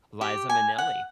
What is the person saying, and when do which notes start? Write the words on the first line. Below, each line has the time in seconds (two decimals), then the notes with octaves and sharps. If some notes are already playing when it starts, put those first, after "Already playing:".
Liza Minnelli.
0.21 G4
0.49 G#5
0.78 F#5